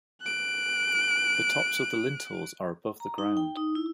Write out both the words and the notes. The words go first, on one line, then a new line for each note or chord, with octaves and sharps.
The tops of the lintels are above the ground.
F#6 D7
A#5
D#4
G5
D#4
E4